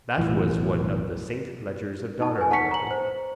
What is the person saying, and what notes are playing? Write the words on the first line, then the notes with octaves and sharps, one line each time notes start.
That was one of the saint Legers of Doneraile.
B1 A2 E3 F3
D#4 A5
B4 G#5
F#5 A5 C#6 B6 C#7
A#5 F#7
C5